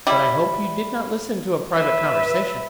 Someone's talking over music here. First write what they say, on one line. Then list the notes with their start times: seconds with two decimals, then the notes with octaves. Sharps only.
But I hope you did not listen to a private conversation.
0.07 G3 E4
1.75 B4 E5